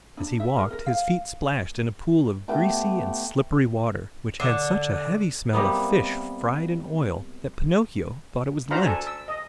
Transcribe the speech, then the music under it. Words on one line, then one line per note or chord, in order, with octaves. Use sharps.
As he walked his feet splashed in a pool of greasy and slippery water, which had such a heavy smell of fish fried in oil that Pinocchio thought it was Lent.
D4
E5
A#4
A#4
F5
A3 B3 G4 G5
D3
C3 G3 A#3 B3
D4 F#4 C5 F5 A#5 B5
A4 G#5
E6
D#5